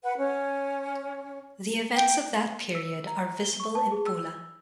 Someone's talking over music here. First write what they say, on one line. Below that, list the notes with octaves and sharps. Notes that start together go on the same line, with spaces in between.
The events of that period are visible in Pula.
B4 F#5
C#4
G5
E6
A#5
G7
C#6
A5
G#4
E6